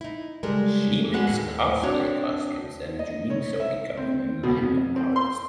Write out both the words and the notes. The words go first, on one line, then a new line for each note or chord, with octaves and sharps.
She makes cosplay costumes and dreams of becoming a manga artist.
D#4 E4
C#3 G3 G#3 A4 A#4
D3 G#3 B3 F#4 G#4 F#5
D#2 A2
C4 D4 F#4 C#5 D5
D#5
C#5
E5
C4
B2
F2
C4
C6